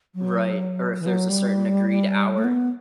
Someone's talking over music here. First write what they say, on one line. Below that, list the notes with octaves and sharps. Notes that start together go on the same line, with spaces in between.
Right. Or if there's a certain agreed hour.
F#3
E3
F#3
G3
A3
B3